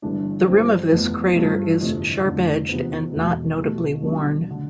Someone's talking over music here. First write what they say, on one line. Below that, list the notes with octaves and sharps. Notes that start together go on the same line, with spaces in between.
The rim of this crater is sharp-edged and not notably worn.
G1 G2 E3 G3 D4
G2 F3 A3 C4 G4
F1 F2 E3 B3
G2 F3 A3
G1 F2 C3 E3 A3
F1 F2 D3
E2 C3 F3 B3
E1 E2 B2 A3
B2 A3 E4 G4
B1 B2 G3 D4
D3